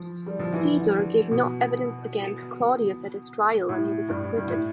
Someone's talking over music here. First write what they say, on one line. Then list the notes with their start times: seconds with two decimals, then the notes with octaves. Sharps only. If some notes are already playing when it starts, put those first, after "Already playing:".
Caesar gave no evidence against Clodius at his trial, and he was acquitted.
Already playing: F3
0.26 G3
0.39 F3
0.53 E3
0.79 D3
1.32 B2
3.69 A2
4.09 G2
4.37 G2
4.48 A2